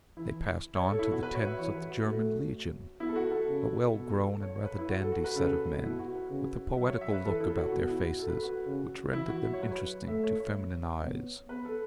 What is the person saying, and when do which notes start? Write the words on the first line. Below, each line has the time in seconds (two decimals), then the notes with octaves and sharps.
They passed on to the tents of the German Legion, a well-grown and rather dandy set of men, with a poetical look about their faces which rendered them interesting to feminine eyes.
0.17 E3 E4
0.75 C#5
0.88 A4
0.99 E4
1.11 B2 F#4
1.23 B4
1.35 C#5
1.47 E5
1.59 E3 C#5
1.74 B4
1.89 F#4
2.06 A3
3.00 B3 E4
3.09 A4
3.16 F#4
3.27 F#4
3.31 A4
3.47 C#3
3.95 B2
4.42 C#5
4.56 C#5
4.65 B4
4.78 E4
4.89 F#4
5.00 A4
5.12 F#4
5.24 B4
5.35 C#3 A4
5.83 B2 E4
5.99 F#4
6.15 B4
6.30 C#3
6.77 F#3 E5
6.89 C#5
7.01 E5
7.13 B4
7.24 E3 A4
7.40 E4
7.49 A4
7.56 F#4
7.72 B2 F#4
7.89 E4
7.96 F#4
8.19 A4
8.28 B4
8.35 A4
8.43 F#4
8.66 C#3
9.13 E3 E4
9.29 F#4
9.45 E5
9.53 C#5
9.61 F#3 B4
9.71 C#5
10.07 A3 E5
10.24 C#5
10.40 C#5
11.03 B3
11.49 B3 B4
11.65 A4